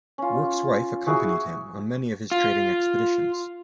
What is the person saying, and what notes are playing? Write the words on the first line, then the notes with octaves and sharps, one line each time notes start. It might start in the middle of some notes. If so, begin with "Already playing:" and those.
Work's wife accompanied him on many of his trading expeditions.
C#4 F4
E4 F#4 G#4 C#5
F4